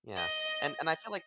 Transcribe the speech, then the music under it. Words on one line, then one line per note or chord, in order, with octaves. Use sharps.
yeah, and and I feel like
D#5